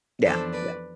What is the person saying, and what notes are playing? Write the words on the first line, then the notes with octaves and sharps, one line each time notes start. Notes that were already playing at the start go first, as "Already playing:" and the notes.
Yeah, yeah.
F2 E3 B3 D4 A4 C5
B4 D5